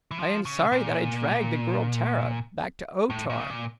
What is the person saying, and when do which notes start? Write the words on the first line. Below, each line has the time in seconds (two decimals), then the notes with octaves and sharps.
I am sorry that I dragged the girl Tara back to O-Tar.
0.11 E3
0.19 F3
0.45 C#3
0.72 A#2
3.10 A2
3.30 A#2
3.40 C#3
3.50 A#2